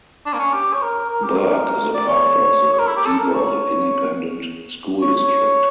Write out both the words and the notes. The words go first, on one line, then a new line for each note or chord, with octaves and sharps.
Burke is a part of the Diboll Independent School District.
D4
A#3
C#4
G4
C#5
A#4
A#4
G4
A#4
D5
C#5
C#5
A#4
E4
G4
A4
A#4
C#5
C#5
C#5